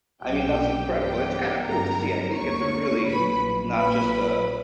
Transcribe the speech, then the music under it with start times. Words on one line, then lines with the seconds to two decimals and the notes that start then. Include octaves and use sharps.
I mean, that's incredible. It's kinda cool to see. I think it's a really not just a,
0.22 B1 A#2 F#3 G4 G5
0.93 G2 E3 G3 B3 G4 G5
1.64 G1 F#2 D3 G3 B3 A#4 A#5
2.35 D2 D3 A#3 C#5 C#6
3.05 A#1 A#2 F#3 B4 B5
3.75 A#1 A#2 F#3 A#3 B4 B5